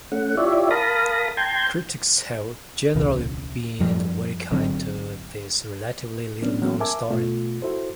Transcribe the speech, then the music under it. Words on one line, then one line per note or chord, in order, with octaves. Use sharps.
Critics have generally been very kind to this relatively little-known story.
A3 C#4 F#5
E4 F4 G4 C#5 D5 E5
A#4 F5 A5 B5 D#6 A#6
G5 A5 A#5 C6 G6 G#6
D1 B1 C#3 E3
F#2 F3 G3 G#3
G#1 D3 F#3 C4
F#3 B3 C#4 D4
E3 F#3 G#3 A#3 B3 C#4
A#4 E5 G#5 A5 D6
B2 A3 F4
E4 F#4 A4 C5